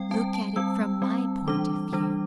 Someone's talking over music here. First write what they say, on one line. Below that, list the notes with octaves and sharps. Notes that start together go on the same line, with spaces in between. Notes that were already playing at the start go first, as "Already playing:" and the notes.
Look at it from My point of view.
Already playing: G3 C4 G5
G3 C4 A5
A5
G3 C4 E6
G3 C4
E3 G3 D4 D6
E3 G3 D4